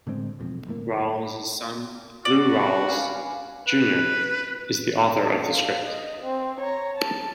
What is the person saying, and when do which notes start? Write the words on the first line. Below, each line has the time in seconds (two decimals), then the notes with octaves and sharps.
Rawls' son, Lou Rawls, Junior is the author of the script.
0.07 A2 D3 G#3 C4
0.39 E1 B1 F2
0.67 G1 A2 A#3
2.25 F#4 D5
2.89 F5 G#5 B5
3.67 B4
5.20 A4
5.51 F5
5.85 D#5
6.22 C4
6.60 C#5 A#5
6.96 A5